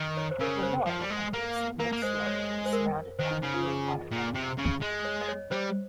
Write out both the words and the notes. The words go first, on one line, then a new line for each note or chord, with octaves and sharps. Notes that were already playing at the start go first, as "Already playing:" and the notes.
The north and east mid slope is surrounded by Clear Water Bay Road.
Already playing: D#3
C#5
C5
C#3 A#4
C5
F3
G3
G#3
A#3
A#3 A#4
A#3
G#3 C5
C#5
C5
A#4
D#3 C5
D#4
C#3 D#4
F4
G#4
D#5
A#2
C3
C#3
G#3
C#5
D#5
C#5
G3 C5